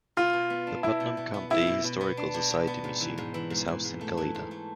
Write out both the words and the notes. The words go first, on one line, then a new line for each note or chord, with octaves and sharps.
The Putnam County Historical Society Museum is housed in Kalida.
B2 F4
B2
B3
D4
B2 E4
B2
B3
B3
B3 E4
B2
B2
B3
D4
B2
B2
B3
G#2
E3
G#2
E3
G#2
E3
G#2
A3
E3
G#2
A3